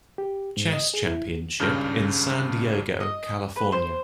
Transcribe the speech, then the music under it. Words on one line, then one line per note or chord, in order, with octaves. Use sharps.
Chess Championship in San Diego, California.
G4
G#2
D#5
G#4
E4
G#1 C#2 G2 C#3 F6 G6
D#5
B4
C5